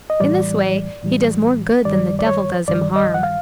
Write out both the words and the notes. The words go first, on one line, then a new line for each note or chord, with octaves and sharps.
In this way he does more good than the devil does him harm.
D#5
A2 E3 G3 D5
A2 E3 G3
G2 D#3 G3 D5
D5
C#5
G2 D#3 G3 D5
D#5
F#5
F5